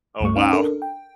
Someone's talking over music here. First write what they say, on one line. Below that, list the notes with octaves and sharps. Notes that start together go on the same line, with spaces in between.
Oh, wow.
C#2 G2 A3 C#6
C#4 D#4 F5
D4 A4 A#4
G5